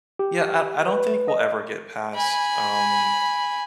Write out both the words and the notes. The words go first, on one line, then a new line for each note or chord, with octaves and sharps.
Yeah. I I don't think we'll ever get past, um,
G4
B4
D#5
G#5 B5